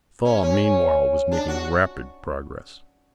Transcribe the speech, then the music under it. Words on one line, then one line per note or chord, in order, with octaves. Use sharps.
The thaw, meanwhile, was making rapid progress.
C#4
C#4
D4
F#4